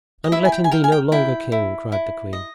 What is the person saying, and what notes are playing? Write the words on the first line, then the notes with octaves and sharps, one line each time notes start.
"And let him be no longer king," cried the queen.
D#5
E4 E5
G#5
G5
G#5
A#4 G5
G#5
G5
E4 G5
E4
E4
D#5